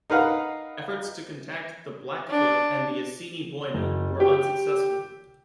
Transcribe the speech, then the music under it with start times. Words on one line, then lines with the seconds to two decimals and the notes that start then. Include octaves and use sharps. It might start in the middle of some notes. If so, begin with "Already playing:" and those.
Efforts to contact the Blackfoot and the Assiniboine were unsuccessful.
0.10 D#4 A#4 B4 F5 F#5
2.29 D4
3.74 F#1
4.20 G4